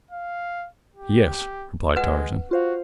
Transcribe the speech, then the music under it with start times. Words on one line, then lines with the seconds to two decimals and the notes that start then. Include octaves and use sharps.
"Yes," replied Tarzan.
0.11 F5
0.95 G4
1.96 G#3 B4 F#5
2.51 F4 F#4 C5 F5